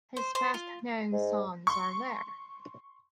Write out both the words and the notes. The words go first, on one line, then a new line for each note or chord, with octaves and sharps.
His best-known songs are There!
C5
C5
F4
G#2
C6 C#6